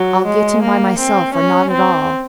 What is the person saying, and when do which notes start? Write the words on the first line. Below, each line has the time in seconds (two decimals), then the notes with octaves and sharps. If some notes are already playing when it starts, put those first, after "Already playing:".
I'll get him by myself or not at all.
Already playing: F#3
0.26 G#3
0.62 A#3
0.99 C4
1.34 C#4
1.71 C4